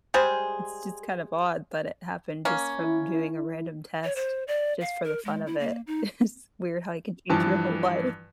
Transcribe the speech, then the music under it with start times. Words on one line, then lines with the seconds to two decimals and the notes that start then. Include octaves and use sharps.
it's just kind of odd, but it happened just from doing a random test just for the fun of it. It's weird how you can change your whole life.
0.14 G3 G#3 G#4 C5
2.45 A#3 C#4
2.80 E4
4.04 C#5
4.16 C5
4.48 D5
4.81 F5
5.04 A#4
5.25 G#3
5.46 E4
5.60 A#3
5.87 D#4
7.30 G2 E3 F3 A5